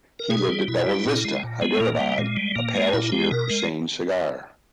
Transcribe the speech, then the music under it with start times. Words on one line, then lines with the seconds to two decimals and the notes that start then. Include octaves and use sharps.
He lived at Bella Vista, Hyderabad, a palace near Hussain Sagar.
0.19 A#4
0.30 B2 G#4
0.49 G3
0.68 B2 E4
0.87 G3
1.06 A#2
1.24 G#3
1.43 A#2
1.62 G#3 B3
1.80 A#2 A#3
1.99 G3
2.18 A#2 G#3
2.37 G3
2.55 A#2 A#3
2.75 G#3
2.93 A#2 E4
3.12 G#3 G4
3.31 B2 A#4
3.50 G#3